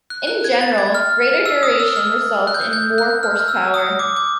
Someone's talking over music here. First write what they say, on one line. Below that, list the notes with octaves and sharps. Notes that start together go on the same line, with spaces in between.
In general, greater duration results in more horsepower.
F#6
F#6
G#6
A6
G#6
F6
E6
D#6
E6
F6
F#6
G6
F#6
G6
F#6
F6
E6
D#6
D6
D6